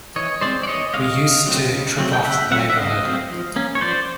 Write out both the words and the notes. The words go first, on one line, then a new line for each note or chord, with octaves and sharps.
We used to trip off the neighborhood.
E3 C#5 D#5
G#3 C4 C5 D5
D5
E3 C#5 D#5
G#3 C4 D#5 F5
C#3
F#3 A3 C4
C#3
F#3 A3 C4
G5
C#3 E5 F#5
F#3 A3 C4 E5 F#5
E5
C#3 D#5 F5
F#3 A3 C4
F3
A#3 C#4
C#5
F3 C5 D5